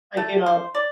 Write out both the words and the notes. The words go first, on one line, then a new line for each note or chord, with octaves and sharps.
like, you know
A3
C5
D5